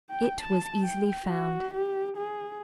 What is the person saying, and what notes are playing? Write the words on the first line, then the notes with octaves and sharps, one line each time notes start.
It was easily found.
G5
A5
G5
F#4
G4
G#4